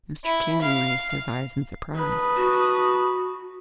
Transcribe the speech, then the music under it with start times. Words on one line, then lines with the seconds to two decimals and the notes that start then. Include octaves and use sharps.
Mr. Channing raised his eyes in surprise.
0.25 E4
0.62 F5
1.96 D#4 B4 A5 D#6
2.36 F#4